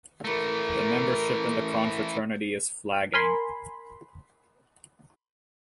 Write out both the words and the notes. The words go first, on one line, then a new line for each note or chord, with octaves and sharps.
The membership in the confraternity is flagging.
E3 A3 A#4
A#4 G#5 B5 C6